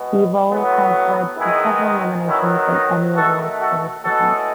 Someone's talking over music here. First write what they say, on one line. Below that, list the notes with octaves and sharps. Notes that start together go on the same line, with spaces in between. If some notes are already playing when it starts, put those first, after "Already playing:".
The role has led to several nominations and Emmy Awards for Piven.
Already playing: B2 G#3 B3
A2 F#3 B3
D#3 G#3 B3 E4 G#4
D#3 F#3 B3 C#4 E4
D#4
D#3 A3 F#4 A4
F#4 A4
A2 G#3 B3 F#4 A4